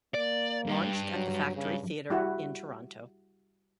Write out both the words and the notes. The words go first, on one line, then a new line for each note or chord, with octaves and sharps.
Launched at the Factory Theatre in Toronto.
A#3 D5
G2
F#3
C#3
G3 E4 F#4